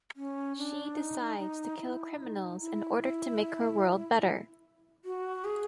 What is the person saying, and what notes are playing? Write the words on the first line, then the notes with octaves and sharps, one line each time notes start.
She decides to kill criminals in order to make her world better.
C#4
D4
D#4
D#4
E4
D#4
E4
E4
F#4
G#4